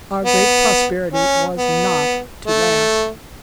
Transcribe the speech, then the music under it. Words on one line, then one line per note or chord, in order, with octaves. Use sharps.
Our great prosperity was not to last.
B3
C#4
B3
A3